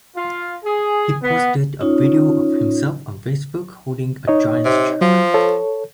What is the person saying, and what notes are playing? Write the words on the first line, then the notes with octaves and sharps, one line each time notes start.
He posted a video of himself on Facebook holding a giant check...
F4
G#4
B3
C#4 D#4 F4 C#5
D#4 C#5 D#5
C3
F3 F#3
A4 C#5